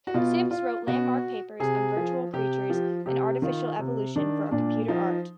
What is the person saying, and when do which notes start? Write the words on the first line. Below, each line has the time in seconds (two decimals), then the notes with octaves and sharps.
Sims wrote landmark papers on virtual creatures and artificial evolution for computer art.
0.07 F#4
0.14 B2 F4
0.51 F4
0.87 B2 F#4
1.60 C3 G#4
1.97 F3
2.33 C3 G4
2.70 F3
3.06 C3 G4
3.42 D#3 F4
3.79 C3
4.16 D#3 D4
4.51 A#2 D4
4.88 F3 D#4